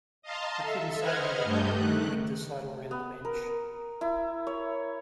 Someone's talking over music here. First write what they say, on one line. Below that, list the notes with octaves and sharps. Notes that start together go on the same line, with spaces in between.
"I couldn't say," he replied, beginning to sidle round the bench.
D#5 F5 A5 A#5 C6
A4 E5
B4 C5 D#5 F#5 F6 G#6
G2 A3 G4 A4 D#5 G6
D#3 A3 F#6
B3
A#4
E4
C#5